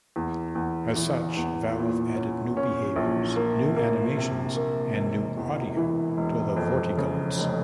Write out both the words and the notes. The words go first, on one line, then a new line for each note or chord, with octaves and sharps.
As such, Valve added new behaviours, new animations, and new audio to the Vortigaunts.
E2
E2
E3
E2
A#2
C#4
C#4
A#1
A#3
A#3
C3
A#3
E1
E2
E3
E1
F2
C#3
F1